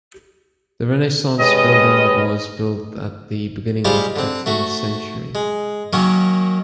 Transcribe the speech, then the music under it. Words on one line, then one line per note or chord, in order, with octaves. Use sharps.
The Renaissance building was built at the beginning of the fifteenth century.
G2 G#3 C#4 B4 D#5
G3 G#3 F4 G4 C5 F5
D3 C4
A3 F#4
G#3
D#3 F#3 A#3 C#4